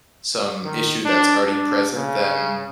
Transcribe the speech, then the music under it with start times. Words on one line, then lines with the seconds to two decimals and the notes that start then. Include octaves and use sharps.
some issue that's already present, then
0.65 D#3
1.05 D4
1.46 D4
1.96 C#3